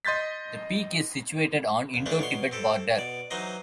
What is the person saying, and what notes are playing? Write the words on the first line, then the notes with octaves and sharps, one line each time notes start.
The peak is situated on Indo-Tibet border.
D#5 C6 G6 A6 B6
D#2
E3 F3 G3 A3 D4 G4
B2 C#5 C6
C4 G4 A4
B2 D5
E3 F#3 D#4 C5 D#5